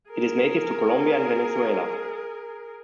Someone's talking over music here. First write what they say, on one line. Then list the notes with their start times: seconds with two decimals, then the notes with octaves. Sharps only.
It is native to Colombia and Venezuela.
0.10 G#4 A#4